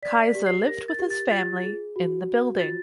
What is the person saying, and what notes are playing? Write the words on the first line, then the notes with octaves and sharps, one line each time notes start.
Keyser lived with his family in the building.
D5 B6
B6
G4
C7
A#4 A#6
A6
G4
A6
F4 A6
G#4
F#4
F#4
F4 A6